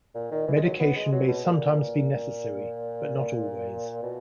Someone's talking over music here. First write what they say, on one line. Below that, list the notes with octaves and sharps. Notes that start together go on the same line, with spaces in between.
Medication may sometimes be necessary, but not always.
A#2
D#3
E3
G#3
F#3
B3
G#3
F#3
B2
A#2
B2